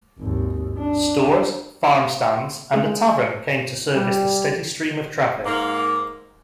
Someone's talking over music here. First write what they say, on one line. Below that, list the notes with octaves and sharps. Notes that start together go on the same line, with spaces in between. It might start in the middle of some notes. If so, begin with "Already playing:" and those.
Stores, farm stands, and a tavern came to service the steady stream of traffic.
G#1 D#2
D4
G#3
G3
G#2 A#3